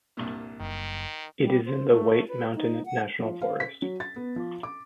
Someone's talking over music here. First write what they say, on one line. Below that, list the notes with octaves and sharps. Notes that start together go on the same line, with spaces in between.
It is in the White Mountain National Forest.
C2 G2 A#2
F#1 D#3
G3
C5
A3
B4
D#4
F#5
F3
F5
B6
F#3
A6
B3
F3
D6